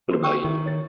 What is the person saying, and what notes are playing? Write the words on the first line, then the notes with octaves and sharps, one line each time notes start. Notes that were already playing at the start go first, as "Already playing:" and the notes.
What about you?
A#3 B3 C5
G5 C#6
D#3 E4
C#5 A6